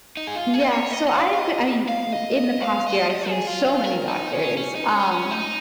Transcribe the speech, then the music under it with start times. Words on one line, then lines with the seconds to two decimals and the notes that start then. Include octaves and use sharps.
Yeah, so I've I mean, m in the past year, I've seen so many doctors, um,
0.17 D#4
0.27 G#4
0.35 F4
0.53 G#4
0.64 D#5
0.71 C#5
0.91 D#5
1.07 D#5
1.15 F5
1.33 F5
1.39 D#5
1.88 F5
2.12 D#5
2.37 D#5
2.61 F5
2.86 D#5
3.11 D#5
3.29 G#4
3.47 F4
3.65 F4
3.84 A#4
4.08 D#4
4.33 C#4
4.57 C#4
4.75 D#4
4.94 C#4
5.12 C#4
5.31 D#4